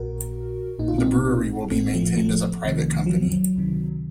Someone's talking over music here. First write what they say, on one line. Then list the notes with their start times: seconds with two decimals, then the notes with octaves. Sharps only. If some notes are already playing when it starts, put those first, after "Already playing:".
The brewery will be maintained as a private company.
Already playing: A#1 A#2 F#4 A#4
0.79 A#1 A#2 D#4
0.88 F4
0.98 C4 D#4
1.71 A1 A2 A3 C4
1.94 F3 A3
2.17 F3 A3
2.63 C2 C3 D#3
3.06 F3
3.10 F#3
3.56 C#2 C3 D#3